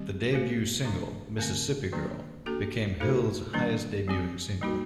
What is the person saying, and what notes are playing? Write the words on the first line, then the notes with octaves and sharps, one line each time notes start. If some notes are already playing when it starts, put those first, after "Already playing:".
The debut single, "Mississippi Girl", became Hill's highest-debuting single.
Already playing: D#3 G3 C4 G4
A3 C4 F#4 C5
D#3 A3 D4 G4
D3 A3 C4
D#3 F#3 A#3 D4
A#3 D4 F#4 A4
A3 D#4 F#4 A4 C5
D#3 G3 A#3 D4
F#3 C4 G4
G3 A#3 D#4 F#4